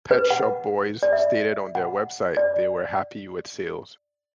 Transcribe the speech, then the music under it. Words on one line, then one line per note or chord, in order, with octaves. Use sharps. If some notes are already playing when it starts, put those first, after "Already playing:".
Pet Shop Boys stated on their website they were happy with sales.
B4
F#5
D5
E5
F#5
D5